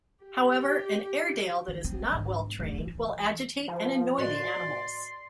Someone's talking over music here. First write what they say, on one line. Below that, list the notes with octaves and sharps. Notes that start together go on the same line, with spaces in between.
However, an Airedale that is not well trained will agitate and annoy the animals.
G4
D#3
C4
G#1 D3
D1 F2
E3
F3
A2 F#4 D5 D#5 C6